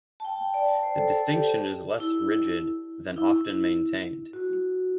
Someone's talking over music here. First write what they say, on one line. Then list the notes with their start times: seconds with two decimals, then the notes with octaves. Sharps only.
The distinction is less rigid than often maintained.
0.20 A5
0.25 G5
0.54 D5
0.83 C5
0.98 A4
1.11 A4
1.27 G4
2.00 E4
3.16 E4
4.33 F#4